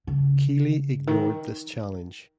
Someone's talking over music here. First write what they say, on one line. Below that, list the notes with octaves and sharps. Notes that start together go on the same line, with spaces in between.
Keely ignored this challenge.
C#3
D#3